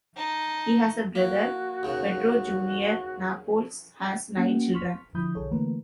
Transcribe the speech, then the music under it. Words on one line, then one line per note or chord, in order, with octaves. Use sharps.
He has a brother, Pedro Junior Napoles has nine children.
D#4 A5
A#3 F#4
D#2 C#3
A#3 C#4 F#4 F#5 G5
C6 C#6 F6 B6
D3 F3 E4 B5 D#6 G6
B1 D3 G#4 A4 C#5
D3 E3 A3 A#3 A#4 B4